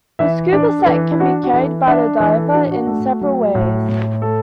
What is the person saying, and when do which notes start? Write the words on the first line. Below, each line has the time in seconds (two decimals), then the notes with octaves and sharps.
The scuba set can be carried by the diver in several ways.
0.19 E3 E5
0.53 D4 D5
0.79 A4
0.86 E3 B4
1.12 E4
1.20 D4 F#4
1.44 F#4
1.53 E3 A4
1.87 D4 E5
2.20 E3 D5
2.37 A4
2.53 D4 F#4
2.71 F#4
2.87 A3
3.21 F#3
3.55 A2
3.89 A2
4.21 A3 A4